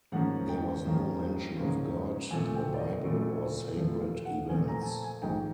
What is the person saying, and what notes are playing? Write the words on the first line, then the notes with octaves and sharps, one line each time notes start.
There was no mention of God, the Bible, or sacred events.
G#2 F3 A#3 C#4 F#5
G5
G#2 F3 A#3 C#4
G#2 F3 A#3 C#4
A#2 F3 A3 C4 G#5
G5
D5
D#5
A#2 F3 A3 C4
A#2 F3 A3 C4
F5
F#5
A#2 F3 A3 C4 G#5
A#5
G#5
A5
G#5
A#1 G#2 D#3 G5